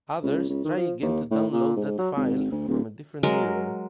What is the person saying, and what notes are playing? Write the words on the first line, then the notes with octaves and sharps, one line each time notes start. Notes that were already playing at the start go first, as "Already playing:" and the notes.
Others try again to download that file from a different mirror.
C#2
C#2
D#3
F3
D#2
A2
A#2
G#2
F#3
G#1
D2
D1
F#3 G#3 A#4